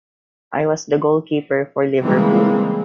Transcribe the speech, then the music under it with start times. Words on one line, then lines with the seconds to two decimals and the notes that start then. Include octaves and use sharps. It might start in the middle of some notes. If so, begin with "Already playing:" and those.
I was the goalkeeper for Liverpool.
2.00 C#3 E3 G3 G#3 A#3 C4